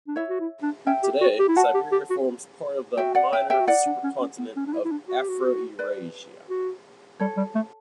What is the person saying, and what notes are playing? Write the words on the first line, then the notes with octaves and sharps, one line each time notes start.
Today, Siberia forms part of the minor supercontinent of Afro-Eurasia.
D4
E4 C#5 E5
F#4
E4
D4
C#4 E5 G5
G4
F#4
G4
E4
F#4 F#5 A5
G4
G4
F#4
F#4 E5 G5
D5 F#5
E5 G5
G4 E5 G5
F#4
E4 D5 F#5
D4
C#4
C#4
B3
C#4
D4
E4
E4
D4
F#4
G4
F#4
B4 D5
F#4
G3 A4 C#5
G3
A3